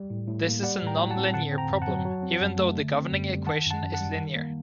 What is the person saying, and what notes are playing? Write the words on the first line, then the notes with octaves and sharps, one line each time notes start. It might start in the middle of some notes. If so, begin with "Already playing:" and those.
This is a non-linear problem, even though the governing equation is linear.
Already playing: G3
A2
A2
A#3
G3 D5 F#5
A2
G5 A#5
A2
F#5 A5
C4
D3 F#5 A5
C4
G5 A#5
F#2
F#5 A5
F#3
F#3
C4
F#2
A3
D3
C4
F#2
G3
D#3 F#5 A5
F#2
F#5 A5
F#2
F#5 A5
G3
D#3
A#3